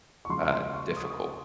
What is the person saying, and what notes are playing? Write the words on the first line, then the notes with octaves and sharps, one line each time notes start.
uh, difficult.
C#6
C#3 F3 G#3 C6
C6
C#6
D#6
C#6
D#6